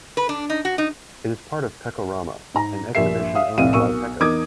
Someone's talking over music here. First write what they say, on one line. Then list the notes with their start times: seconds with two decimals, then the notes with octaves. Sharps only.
It is part of Pecorama, an exhibition owned by Peco.
0.17 B4
0.29 D4
0.50 D#4
0.65 F#4
0.78 D#4
2.54 G#2 A#5
2.95 A#1 G2 A#4 E5 C7
3.35 E5 F5 D#6
3.58 F1 C2 A2 F5 D#7
3.73 B1 A#4 F5 C#6 E6 D#7
4.20 E2 D#4 A#4 D6 D#6 G#6